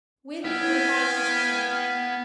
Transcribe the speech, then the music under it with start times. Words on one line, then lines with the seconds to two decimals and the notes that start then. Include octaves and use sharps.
With or without his prey!
0.45 B3 E4 F5 G5 G#5